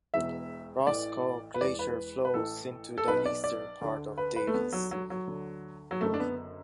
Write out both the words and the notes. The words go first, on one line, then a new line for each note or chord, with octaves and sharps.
Roscoe Glacier flows into the eastern part of Davis Sea.
E1 E2 B2 E5
A1 A2 E3 D5
B4
E1 E2 E3 D5
B4
B4
A1 A2 E3 A4
A4
B1 B2 B4
D5
D5
D2 D3
B4
B4
A3
D2 D3 B3
F#3
F#3
F#3
D2 D3
F#3
F#1 F#2 D3 A3
D4
B3